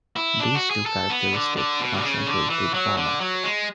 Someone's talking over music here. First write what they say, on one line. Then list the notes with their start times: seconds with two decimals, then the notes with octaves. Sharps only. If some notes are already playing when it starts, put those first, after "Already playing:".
These two characteristics are central to the format.
0.16 E4
0.40 D4
0.55 F#4
0.71 G#4
0.86 A4
1.10 B3
1.33 D3
1.57 D3
1.80 B2
1.94 D3
2.04 C#3
2.27 D3
2.50 E3
2.74 F#3
2.97 D3
3.20 F#3
3.44 G#3